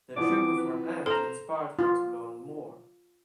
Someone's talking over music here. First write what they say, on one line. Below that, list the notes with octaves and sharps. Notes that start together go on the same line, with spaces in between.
The trip with her Aunt inspired her to learn more.
E3 F3 B3 D5 D6
C4
B4
A4 C5 A#5
F4